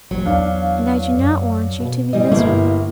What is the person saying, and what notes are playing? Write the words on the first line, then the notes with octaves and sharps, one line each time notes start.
And I do not want you to be miserable.
A#1 F#3
E2 D4 F5
F#2
B2
E3 G3 D#5
G1 A#3 E4